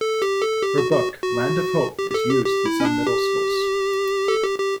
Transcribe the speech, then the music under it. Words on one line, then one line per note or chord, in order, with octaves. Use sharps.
Her book "Land of Hope" is used in some middle schools.
A4
G4
A4
G4
F#4
F#4
F#4
G4
G4
A4
G4
G4
E4
C#4
D4
G4
A4
G4
G4